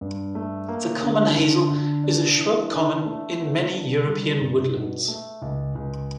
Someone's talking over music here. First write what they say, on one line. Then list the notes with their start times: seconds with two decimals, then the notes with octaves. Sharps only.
The common hazel is a shrub common in many European woodlands.
0.01 G2
0.35 A3
0.68 A#3
1.03 D3
1.36 D3
1.70 D3
2.04 D4
2.38 E3
2.71 D4
3.06 A3
3.39 B3
3.73 D4
4.07 G3
4.40 G2
4.74 B2
5.08 A3
5.42 C#2
5.75 C#2